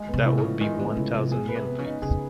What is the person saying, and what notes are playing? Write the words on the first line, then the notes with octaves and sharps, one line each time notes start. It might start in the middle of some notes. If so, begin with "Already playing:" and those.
That will be one thousand yen please.
Already playing: G#3
B3
C3
A2
C#3
F3
D#3 G#3
D3 B3
A2 C#3
C3 F3
B2 G#4
B4
C3
B3
C#3
D#4
C#3 G#4